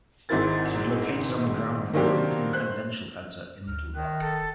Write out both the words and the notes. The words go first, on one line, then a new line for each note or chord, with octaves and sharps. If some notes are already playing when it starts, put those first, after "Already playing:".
It is located on the grounds of the Clinton Presidential Center in Little Rock.
G#1 G#2 C4 E4 A#4 A6
D#3 F#3 A#3 C4 D4 G4
C5 F#6
D2 F6
D#3 F#6
E1 A4